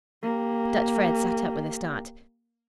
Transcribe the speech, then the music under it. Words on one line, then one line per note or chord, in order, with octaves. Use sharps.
Dutch Fred sat up with a start.
A#3 G4